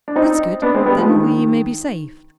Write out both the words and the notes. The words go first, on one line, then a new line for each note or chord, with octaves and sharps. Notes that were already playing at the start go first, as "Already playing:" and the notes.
"That's good; then we may be saved."
D4
C4 D#4
B3 D4
G#3 C4
G3 B3
F3 G#3
D#3